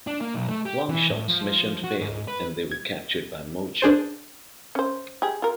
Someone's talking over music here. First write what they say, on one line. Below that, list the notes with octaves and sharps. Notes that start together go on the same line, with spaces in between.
Longshot's mission failed and they were captured by Mojo.
D4
A#3
B1
A3
G4
E3
A2
F3
F#4
G#2
B4
G#6
D4 G#4 C5
C#4 C5
G4 G#4
F4 A#4